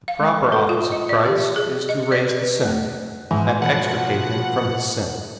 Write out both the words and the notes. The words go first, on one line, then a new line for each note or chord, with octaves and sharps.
The proper office of Christ is to raise the sinner, and extricate him from his sins.
F5
G#3
A4
F4
D#5
D5
G4
G#4
D#5
D5
B4
A3
G#2 E3
B2 F3 F#5